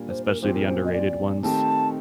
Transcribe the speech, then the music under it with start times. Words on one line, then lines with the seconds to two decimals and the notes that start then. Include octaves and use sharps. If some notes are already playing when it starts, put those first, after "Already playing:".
especially the underrated ones.
Already playing: A#2 G3 A#3 D4
0.09 C5
0.26 A#4
0.42 A#2 F3 C4 G4 C5
0.54 A#4
0.67 C5
0.85 D#5
0.93 D5
1.43 D#3 A3 C4 G4 A5